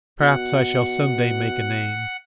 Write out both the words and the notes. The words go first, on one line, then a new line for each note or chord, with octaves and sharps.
Perhaps I shall some day make a name.
B2 F#5